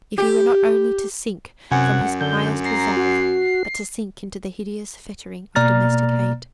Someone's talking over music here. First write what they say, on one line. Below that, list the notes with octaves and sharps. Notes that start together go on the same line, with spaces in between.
If he were not only to sink from his highest resolve, but to sink into the hideous fettering of domestic hate?
G4
F#2 C3 F#5 G#5
D3 G6
A#5 C7
F#4
B2 A#3 D5 A#5 F6 A6